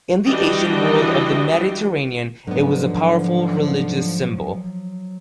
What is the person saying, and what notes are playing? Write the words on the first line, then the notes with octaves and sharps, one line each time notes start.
In the ancient world of the Mediterranean, it was a powerful religious symbol.
E3 G3 D4 F#4 D#5 G5
G#2 D3 F3 F#3 B3